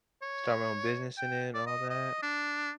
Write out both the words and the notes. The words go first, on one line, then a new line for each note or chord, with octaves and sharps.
Start my own business in it and all that.
C#5
G5
D5
D#5
D#5
D4